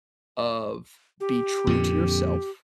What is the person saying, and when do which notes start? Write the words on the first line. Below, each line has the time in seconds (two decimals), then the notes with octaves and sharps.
of, "Be true to yourself
1.20 G4
1.67 F2 A#2 D3